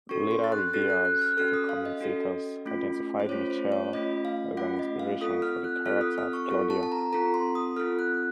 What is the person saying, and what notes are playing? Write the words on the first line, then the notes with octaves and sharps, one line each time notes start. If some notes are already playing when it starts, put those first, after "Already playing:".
Later reviewers and commentators identified Michelle as an inspiration for the character of Claudia.
C#4 F#4 A4 C#6
C6
A6
F#6
C#4 F#4 A4 A6
F#6
F#6
F6
C#4 F#4 A4 F6
D#6
F5
D#5
C#4 F#4 A4
A3 C#4 F4
C5
A3 C#4 F4 C#5
C5
C#5
A3 C#4 F4 D#5
F5
A3 C#4 F4 F#5
D#5
F5
C4 F4 A4 D#6
F6
F#6
C4 F4 A4 F6
D#6
F6
C#6
C4 F4 A4
A5
A5
A#5
C4 F4 A4 A#5
C6
D#6
C4 F4 A4 F6
F#6